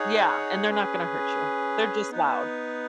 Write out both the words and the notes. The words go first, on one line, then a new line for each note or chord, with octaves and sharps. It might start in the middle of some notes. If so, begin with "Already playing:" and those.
Yeah. And they're not gonna hurt you, they're just loud.
Already playing: D#4 G#4 C#5 F#5
C#4 G#4 B4
B3 D#4 B4